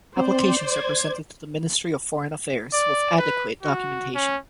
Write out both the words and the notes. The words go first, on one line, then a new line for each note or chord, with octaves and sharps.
Applications are presented to the Ministry of Foreign Affairs with adequate documentation.
C4 C5 D5
G#6
D5
B4
F#4
C#4